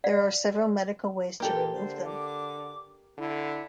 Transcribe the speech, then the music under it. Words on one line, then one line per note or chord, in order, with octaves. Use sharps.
There are several medical ways to remove them.
D5 F5 F#5
A#2 A#3 G4 A4
D3 C5
D6
D3 E4